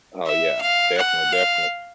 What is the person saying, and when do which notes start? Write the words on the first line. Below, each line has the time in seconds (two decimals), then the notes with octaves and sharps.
Oh, yeah, defin definitely.
0.26 E5
0.61 F5
0.97 F#5
1.32 F5